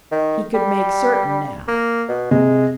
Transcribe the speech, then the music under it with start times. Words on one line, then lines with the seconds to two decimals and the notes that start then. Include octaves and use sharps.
He could make certain now.
0.12 D#3
0.54 G3
1.68 A#3
2.08 B2
2.31 C3 G#3